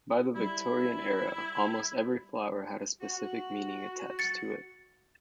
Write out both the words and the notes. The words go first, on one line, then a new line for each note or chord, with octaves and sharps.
By the Victorian era, almost every flower had a specific meaning attached to it.
G3 E4
F#4
A6 C#7